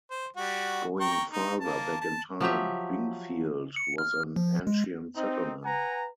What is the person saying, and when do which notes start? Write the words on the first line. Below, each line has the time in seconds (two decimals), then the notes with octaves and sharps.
Going further back in time, Bingfield was an ancient settlement.
0.11 C5
0.37 G3 F#4
1.00 G5 A#5 C#6
1.30 D#4
1.60 A#3 A5
2.01 A5
2.41 F3 F#3 G4 E5
3.76 C#7
3.98 F6
4.36 F3
4.67 G#3
5.16 C4 D#4
5.65 B4 F#5 G#5 A#5